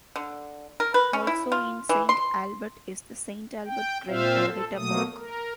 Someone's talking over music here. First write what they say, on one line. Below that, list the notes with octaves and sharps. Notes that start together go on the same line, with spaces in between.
Also in Saint Albert is the Saint Albert Grain Elevator Park.
D3
A#4
B4
C#4
E4
F4
E3
C6
G5
A#2 C4 F4 C5 E5 F5
A4
B2 F#3 A3 A#3 D#6
A#4